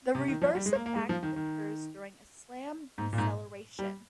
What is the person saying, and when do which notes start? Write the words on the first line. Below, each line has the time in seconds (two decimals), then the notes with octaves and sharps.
The reverse effect occurs during a slam-deceleration.
0.15 C3
0.28 D#3
0.42 F3
0.55 G3
0.66 G#3
0.75 A#3
0.86 A#3
0.96 G#3
1.09 F3
1.23 D#3
1.36 D#3
2.98 G#2
3.13 A#2
3.18 G#2
3.79 G3